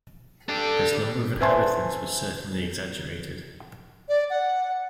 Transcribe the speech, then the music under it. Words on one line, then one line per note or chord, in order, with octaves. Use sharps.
This number of inhabitants was certainly exaggerated.
D4 G4 A4
B4 C5 E5 G#5 A5 C6
D5
F#5